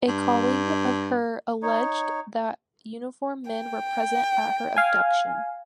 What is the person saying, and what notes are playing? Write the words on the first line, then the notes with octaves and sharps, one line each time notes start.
A colleague of her alleged that uniformed men were present at her abduction.
G2
D#4 C#5
G5
F5 G#5